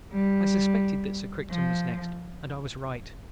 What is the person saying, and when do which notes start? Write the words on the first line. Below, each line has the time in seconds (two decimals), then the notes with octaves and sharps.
I suspected that Sir Crichton was next, and I was right.
0.13 G3
1.51 F3